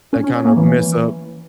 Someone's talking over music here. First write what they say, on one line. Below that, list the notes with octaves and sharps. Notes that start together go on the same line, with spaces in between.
that kind of mess up
C#4
C#4
C#4
A#3
E3